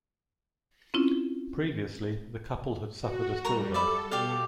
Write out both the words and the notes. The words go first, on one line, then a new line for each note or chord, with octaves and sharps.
Previously, the couple had suffered a stillbirth.
C4 C#4 E4 F4
F#4
G3 A#4 A#5 C#6
A4 D5 E5 B5
B2 G4 D5 F5